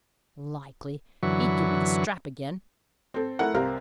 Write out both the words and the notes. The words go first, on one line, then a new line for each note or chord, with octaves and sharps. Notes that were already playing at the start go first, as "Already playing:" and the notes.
Likely! he'd give me the strap again.
F#2 D3 E3 F#3 B4 C#6
C4 A4
A3 E4 A#4 F#5
C2 C3 C4 A#4 F5